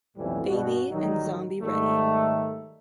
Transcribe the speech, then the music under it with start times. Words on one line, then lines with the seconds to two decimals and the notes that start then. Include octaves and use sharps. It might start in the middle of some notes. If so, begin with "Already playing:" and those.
Baby" and "Zombie Reddy.
0.16 B1 F2 A2 E3 G3
0.46 G2 B2 G3 F#4
0.90 A1 D#3 F#3 G3 D#4
1.60 G#2 D#3 G3 A3